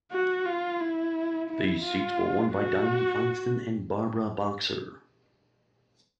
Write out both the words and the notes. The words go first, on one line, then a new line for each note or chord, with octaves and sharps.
These seats were won by Dianne Feinstein and Barbara Boxer.
F#4
F4
E4
E4
F4
F#4